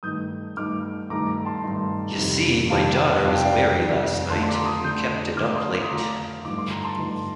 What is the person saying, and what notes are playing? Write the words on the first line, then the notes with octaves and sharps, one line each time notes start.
Ye see, my daughter was merry last night, and we kept it up late.
G2 D#3 A3 D#4 D#6 G6
G2 D#3 A3 D#4 D6 F6
G2 D#3 A3 D#4 A#5 D6
A5 C6
G2 D#3 A3 D#4
F2 C3 D#3 G3
F2 C3 D#3 G3 F5 A5
F5 A5
F2 C3 D#3 G3 F5
G5
D5 F5
F2 C3 D#3 G3
D3 A3 D4 F4 A5 C6
C6
A#5 D6
C6 D#6
D3 A3 D4 F4 D#6 G6
D3 A3 D4 F4 D6 F6
C6 D#6
D6
D#6
D3 A3 D4 F4 A#5 D6
G2 D3 F3 A3 D#4 D6
C6
A#5
A5 C6
G2 D3 F3 A3 D#4